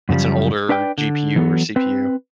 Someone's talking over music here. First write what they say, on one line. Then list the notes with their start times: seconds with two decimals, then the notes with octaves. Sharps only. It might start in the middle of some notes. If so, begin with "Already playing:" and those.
it's an older GPU or CPU.
0.09 F#2 C#3 F3 G3
0.69 D4 B4 D5 G5
0.98 D3
1.36 E3 F#3 B3 A4
1.76 C4 B4